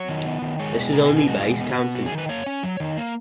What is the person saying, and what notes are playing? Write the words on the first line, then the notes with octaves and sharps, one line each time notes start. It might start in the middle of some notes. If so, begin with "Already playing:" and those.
This is only base counting.
Already playing: F#3 C#5
D#3
B3
D#3
G#3 C#5
B2
B3 A#4
G#4
B2
G#4
G#3 F#4
F4
B2
B3
B2
F#3 F#4
G#4
D#3
B4
A#3 C#5
C#4
F#3
D#3
A#3